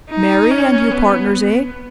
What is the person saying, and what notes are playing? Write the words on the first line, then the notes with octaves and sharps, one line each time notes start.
Mary and you partners--eh?
D#4
C#4
B3
B3